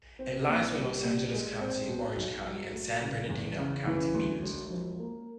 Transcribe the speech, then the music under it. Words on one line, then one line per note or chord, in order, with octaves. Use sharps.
It lies where Los Angeles County, Orange County and San Bernardino County meet.
C4
A#2
G3
A#2
G#3
C4
B2
B1
F#3
A3
C#3
E2
C#3
E3
D2
E1
F3
A#3